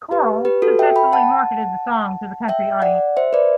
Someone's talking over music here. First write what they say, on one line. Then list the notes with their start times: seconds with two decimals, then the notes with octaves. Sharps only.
Coral successfully marketed the song to the country audience.
0.11 G4 B4
0.45 G4 B4
0.62 F#4 A4
0.79 E5 G5
0.96 G5 B5
1.13 F#5 A5
2.48 E5 G5
2.82 D5 F#5
3.17 C5 E5
3.33 B4 D5